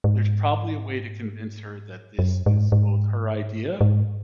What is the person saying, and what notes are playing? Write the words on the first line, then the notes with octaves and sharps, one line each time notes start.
there's probably a way to convince her that this is both her idea
G#2
F#2
G#2
G#2
G#2